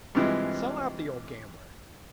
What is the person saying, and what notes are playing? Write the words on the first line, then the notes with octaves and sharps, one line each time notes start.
'Sell out the old gambler!
G2 C3 E3 F3 G#3